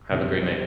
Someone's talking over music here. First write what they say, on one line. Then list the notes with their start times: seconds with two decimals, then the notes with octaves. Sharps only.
Have a great night.
0.11 C2 F2 B2 G3 C4 D#4
0.51 G4